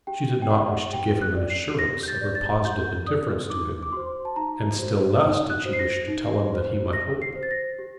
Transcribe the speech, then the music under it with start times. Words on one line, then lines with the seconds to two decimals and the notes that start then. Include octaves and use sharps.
She did not wish to give him an assurance of her positive indifference to him--and still less did she wish to tell him that he might hope.
0.07 G4 G5
0.42 G5
0.51 D5 F#5
0.93 G4 G5
1.21 F#6
1.36 D5
1.50 C7
1.79 G4 A#6
2.03 G6
2.08 A6
2.21 D5
2.35 A6
2.65 G4 G6
3.07 D5 D#6
3.50 D#4 D6
3.83 D6
3.92 F#4 C5 C6
4.25 A5
4.36 D#4 A#5
4.79 F#4 C5
5.21 D#4 D#6
5.50 F#6
5.65 F#4 C5
5.73 C7
5.79 A#6
6.08 D#4
6.50 F#4 C5
6.93 G4 A#6
7.22 C7
7.36 C5
7.43 A6
7.51 A#6
7.79 G4